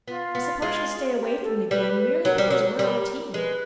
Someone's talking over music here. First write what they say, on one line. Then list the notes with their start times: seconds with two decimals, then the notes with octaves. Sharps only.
I suppose she will stay away from the game merely because we are on the team.
0.08 B3 F4
0.35 B3
0.62 G#3
1.16 G4
1.43 A4
1.71 G3 B4
2.25 F#3 A#4
2.38 G3 C5
2.47 F#3 A#4
2.60 A4
2.64 A#4
2.79 G3
3.34 G#3 B4